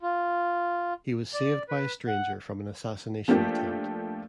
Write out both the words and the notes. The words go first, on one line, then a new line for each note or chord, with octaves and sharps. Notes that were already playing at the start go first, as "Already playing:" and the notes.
He was saved by a stranger from an assassination attempt.
F4
D5
B4
F#5
F3 A3 A#3 D4 G4